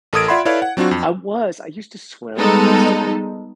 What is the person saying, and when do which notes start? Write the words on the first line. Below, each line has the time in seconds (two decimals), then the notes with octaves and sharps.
I was, I used to swim constantly
0.13 A1 A4 A#4 D#6 G#6 D7
0.28 F4 D5 E5 F#5 B5 C6
0.45 E4 A4 B4 C#5 D5 F5
0.62 F#5
0.77 F#3 C4 D4 F4 F#4
0.91 F2
2.36 G3 G#3 B3 D#4 A4